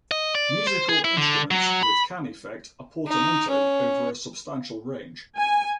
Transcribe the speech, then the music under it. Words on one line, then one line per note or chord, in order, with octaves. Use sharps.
Musical instruments with can effect a portamento over a substantial range.
D#5
D5
C5
G#4
E4
D3
F#3
B5
D#4
C#4
G#5